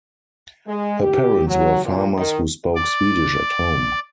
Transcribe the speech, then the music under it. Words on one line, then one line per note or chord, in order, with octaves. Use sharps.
Her parents were farmers who spoke Swedish at home.
G#3
G4
F#3
A#2
D#3
D5